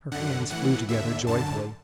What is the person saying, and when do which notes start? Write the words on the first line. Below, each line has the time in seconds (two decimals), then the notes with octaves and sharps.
Her hands flew together joyfully.
0.12 F#2 D3 F#5
0.50 A2 E3 F#5
0.88 D#2 D3 E5
1.27 F#2 D3 A5